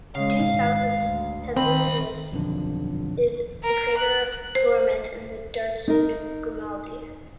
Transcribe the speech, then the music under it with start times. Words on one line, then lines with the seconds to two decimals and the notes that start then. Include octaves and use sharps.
Due south of Hevelius is the crater Lohrmann and the dark-hued Grimaldi.
0.15 C#3 G#3 F5
0.45 G#1
1.02 D2
1.56 C#2 D#3 C4 B5
2.32 D#1 B1 F2 D3
3.64 A#4
3.97 F#6
4.55 C5
5.88 D#4 A#4